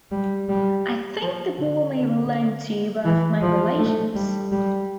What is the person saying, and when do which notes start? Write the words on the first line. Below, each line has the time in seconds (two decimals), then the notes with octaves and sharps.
I think the ball may belong to one of my relations.
0.12 G3
0.49 G3
1.22 F3
1.58 D3
1.95 D3
3.05 E3
3.42 F3
3.79 A3
4.15 G3
4.52 G3